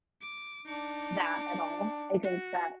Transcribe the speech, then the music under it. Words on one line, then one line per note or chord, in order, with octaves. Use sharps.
that at all. I think that,
D6
D4 D#4 D6
F#4